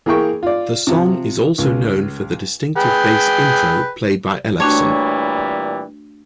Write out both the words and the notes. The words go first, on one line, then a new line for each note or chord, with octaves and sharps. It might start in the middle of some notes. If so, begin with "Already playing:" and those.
The song is also known for the distinctive bass intro played by Ellefson.
E3 A#3 G#4 A#4 G5 C#6
F4 D5
C3 F3
C#2
G#4 B4 G5
A#2 E3 G3 A3 D4 F#4 C#5